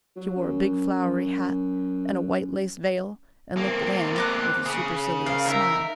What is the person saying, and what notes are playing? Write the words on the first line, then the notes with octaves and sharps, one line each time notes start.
She wore a big flowery hat and a white lace veil and looked at Anne with a supercilious smile.
F#3
F#2
A#3 C4
D#5 D6 F#6
C#3 D#6
A#4 F5
D#4 A#4 E5